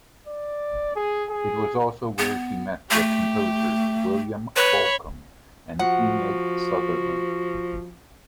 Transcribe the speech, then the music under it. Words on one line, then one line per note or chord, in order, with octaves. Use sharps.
It was also where she met the composers William Bolcom and Enid Sutherland.
D5
G#4
G#4
B3
A3 G4
B4 C#5 B5
F3 F#4 F#5